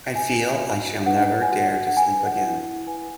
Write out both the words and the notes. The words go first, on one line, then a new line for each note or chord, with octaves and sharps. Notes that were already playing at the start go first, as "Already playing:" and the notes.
I feel I shall never dare to sleep again!
B4 G#5
B4
F#4
F#4
B4 F#5
B4
G#5
F#4 F#5
F#4
F#5
B4 G#5
B4
F#5
E4
E4
B4 G#5